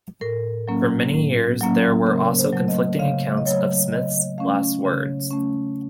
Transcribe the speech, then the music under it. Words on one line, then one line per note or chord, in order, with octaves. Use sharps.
For many years, there were also conflicting accounts of Smith's last words.
A2 A#4
F#3 A#3 C#4
A2
F#3 A#3 C#4
C#3 A#4
C5
F#3 A3
D#5
C#3 F5
D#5
F#3 A3 C#5
C#3 D#5
A3 C#4 F5
C#3
A3 C#4